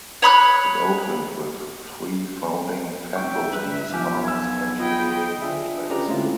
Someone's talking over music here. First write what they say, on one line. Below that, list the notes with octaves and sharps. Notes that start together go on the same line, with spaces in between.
It opened with three founding faculties, Arts, Engineering and Medicine.
C#5 B5 E6 F#6
F1 E5 G5 C#6
G2 B4
B1 F3 G4 G#5 F6
F5 G#5 A5 E6
F4 D#5 G5 B5
D4 F4 G#4 E5
C#4 F4 G4 B4 D5 A#5
G#3 A3 C4 C#4 E4 F4